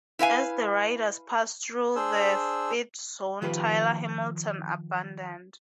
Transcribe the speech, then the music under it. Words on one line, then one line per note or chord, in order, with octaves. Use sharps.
As the riders passed through the feedzone Tyler Hamilton abandoned.
E4 B4 F5 G#5
D4 G#4 C5 E6
D#3 F3 F4 G4 B4